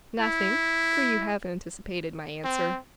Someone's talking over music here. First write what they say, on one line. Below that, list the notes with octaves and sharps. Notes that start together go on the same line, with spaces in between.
"Nothing, for you have anticipated my answer."
E4
C4